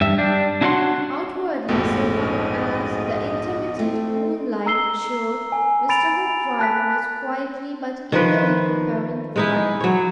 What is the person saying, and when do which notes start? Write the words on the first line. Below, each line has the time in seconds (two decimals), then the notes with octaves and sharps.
Outwardly, so far as the intermittent moonlight showed, Mr. Hoopdriver was quietly but eagerly prepared to fight.
0.01 G2 E5
0.18 G3 D4
0.61 D4 E4 F#4 C#5 F#5 C6
1.68 A#1 F2 G#2 B2 A3 D#5
3.79 A3 C4
4.66 A#5 E6 C7 G7
5.52 G#5
5.89 B5 A6 D7 F7
6.59 A5 F#6 B6
8.12 D#3 F3 B4
9.36 G#3 D#4 E4
9.80 F#3 C#5